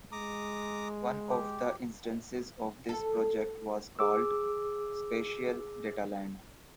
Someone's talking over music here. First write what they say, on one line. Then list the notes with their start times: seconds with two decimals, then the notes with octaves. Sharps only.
One of the instances of this project was called Spatial Dataland.
0.12 G#3 A#5 D6 D#6
1.30 G4
2.89 A4
3.99 G#4 D6 E6